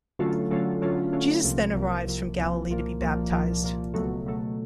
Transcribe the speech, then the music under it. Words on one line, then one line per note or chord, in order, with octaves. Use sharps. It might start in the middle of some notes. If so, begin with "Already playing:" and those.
Jesus then arrives from Galilee to be baptized.
D3 F#3 A3 C#4 F4
D3 F#3 A3 C#4 F4
D3 F#3 A3 C#4 F4
D3 F#3 A3 C#4 F4
C2 C3 F3 A#3
C2 C3 F3 A#3
C2 C3 F3 A#3
C2 C3 F3 A#3
C2 A#2 F3 A#3
C2 A#2 F3 A#3
C2 A#2 F3 A#3
C2 A#2 F3 A#3
C#2 B2 F#3 A3
C#2 B2 F#3 A3